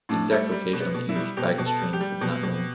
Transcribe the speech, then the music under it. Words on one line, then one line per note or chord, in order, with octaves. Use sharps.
The exact location of the English baggage train is not known.
A2 D4
G3 A3
G3
B2
B3
B2
E4
G3
B2 G4
B2
A4
G3
G4
G3
B2
B2